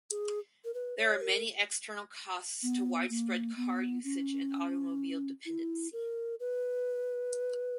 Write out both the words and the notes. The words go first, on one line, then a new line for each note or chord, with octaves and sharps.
There are many external costs to widespread car usage and automobile dependency.
G#4
A#4
B4
C#5
A#4
B3
A#3
B3
C#4
E4
A#4
B4